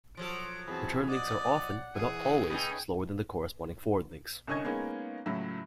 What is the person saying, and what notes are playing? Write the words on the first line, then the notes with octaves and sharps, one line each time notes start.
Return links are often, but not always, slower than the corresponding forward links.
F3 F#3 A4 D7
E2 C4 F#4 G#4 A5 B5
D5 D#5 F#5 D#6
F#5
E3 G#4
C#3 A3 D#4 B4 D#5 G5 G#5
C2 D3 C#4 D#5 C#6 G#6
G#3 A#3 B3 C#4 D#4
C#2 A2 F#3 E5 B5